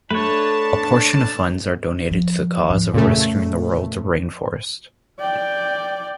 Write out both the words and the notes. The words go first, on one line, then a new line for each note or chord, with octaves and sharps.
A portion of funds are donated to the cause of rescuing the world's rainforests.
A3 D4 B4 C#5 A5
F3
G#2 F3
F2 A#2 C#3 A3
D5 G5